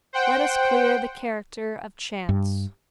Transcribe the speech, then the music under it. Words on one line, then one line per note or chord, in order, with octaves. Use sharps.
Let us clear the character of chance.
C5 F#5 G5
G2